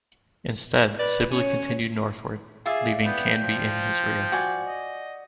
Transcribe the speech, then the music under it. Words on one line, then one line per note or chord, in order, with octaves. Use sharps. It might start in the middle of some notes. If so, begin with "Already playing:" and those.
Instead, Sibley continued northward, leaving Canby in his rear.
B4 D5
C#4 C#5
F4 G#4 D5 E5
B3 G5
F3
F#4 D5 G#5
D#5